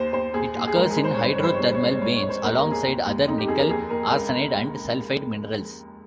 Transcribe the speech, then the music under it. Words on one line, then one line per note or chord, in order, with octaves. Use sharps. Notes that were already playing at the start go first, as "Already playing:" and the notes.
It occurs in hydrothermal veins alongside other nickel arsenide and sulfide minerals.
Already playing: D#2 C5
D#2 C5
D#2 G#4
D#2
G#4
G#2 A#4
G#4
G#2
C5
G2 C#5
C5
C#5
G3 C5
C#5
C2 C5
C#5
G#3 C5
G#2 C#5
C#5
G#2
C5
D#2 A#4
A#4
D#2
G#4
D#2
D#2
F2 D#4
G4
F2 G#4
A#4
D#2 G#4
D#2 A#4
C#2 A#4